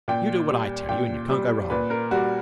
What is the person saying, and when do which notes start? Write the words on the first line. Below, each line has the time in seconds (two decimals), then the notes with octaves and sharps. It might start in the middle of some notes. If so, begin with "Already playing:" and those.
You do what I tell you and you can't go wrong.
0.08 A#2 G5
0.49 G3
0.89 A#2 G5
1.29 G3
1.70 A#2 B4
1.90 A#4
2.11 G3 F#4